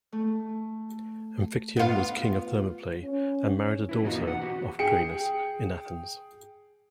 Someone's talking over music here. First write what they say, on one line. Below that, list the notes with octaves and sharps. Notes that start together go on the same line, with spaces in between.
Amphictyon was king of Thermopylae and married a daughter of Cranaus of Athens.
A3
B3 F4
C#4
E4 B4
E2 B2 A#3 D#4 F4 F#4
F#5
F#4 G4 B4
G#4 G5 C#7